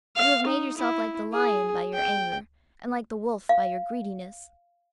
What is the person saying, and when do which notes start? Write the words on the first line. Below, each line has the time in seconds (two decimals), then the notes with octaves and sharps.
You have made yourself like the lion by your anger, and like the wolf by your greediness.
0.16 F5
0.47 D#4
0.77 E4
1.32 G#4
1.94 G5
3.49 F5